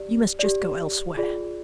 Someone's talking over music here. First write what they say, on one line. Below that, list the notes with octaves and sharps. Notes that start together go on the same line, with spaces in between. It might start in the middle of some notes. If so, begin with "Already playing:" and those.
You must just go elsewhere.'
Already playing: G4 D5
D5
G4
F4 G#4 D5